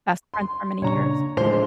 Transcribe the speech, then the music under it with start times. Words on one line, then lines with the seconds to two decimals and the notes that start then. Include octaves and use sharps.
best friends for many years.
0.34 C6
0.82 A#2 C#3 D4 C#5 A#5 C#6
1.37 A2 D3 E3 F3 G#3 C5